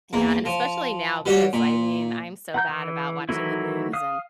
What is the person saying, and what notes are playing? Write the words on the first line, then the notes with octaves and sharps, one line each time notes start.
Yeah, and especially now because, I mean, I'm so bad about watching the news and
E2 A#3
F3
G3 F#4 G4 C#5
A#2
F#5 A#5 G6
E3
D#3 E3 F#3 A3 E4
F5 D#6